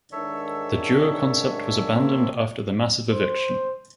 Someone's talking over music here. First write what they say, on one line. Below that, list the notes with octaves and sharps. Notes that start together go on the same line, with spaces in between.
The duo concept was abandoned after the massive eviction.
G#2 D#3 D4 A4 C#5 E5
A#3 C4
C5